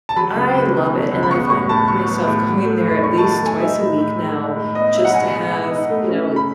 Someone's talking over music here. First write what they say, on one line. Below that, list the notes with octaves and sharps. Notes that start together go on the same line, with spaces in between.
I love it, and I find myself going there at least twice a week now just to have, you know
A5
F#3 B5
C#2
C#2
B2
F#3
C#2
B5
B3 C#6
A2 C#6
A2 A5
F#3 C#6
B3
A2
F#3
A3
E2
D#3 C#6
A5
F#3
A5
A3 G#5
D#4 E5
A2
A2
G#3
D#4
A2
B3 D#5
D#4 E5
F#5
B2 G#5
G#3
B3
D#4
A3
C#4
C#3
B5